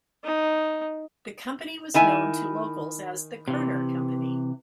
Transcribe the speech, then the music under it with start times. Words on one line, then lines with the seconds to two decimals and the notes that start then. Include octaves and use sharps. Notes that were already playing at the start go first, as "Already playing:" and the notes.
The company was known to locals as The Kerner Company.
0.24 D#4
1.94 D#3 E4 G#5
3.48 C3 E3